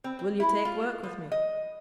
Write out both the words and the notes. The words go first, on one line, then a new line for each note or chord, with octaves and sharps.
Will you take work with me?
C4
C4
E4
F4
F3
D#5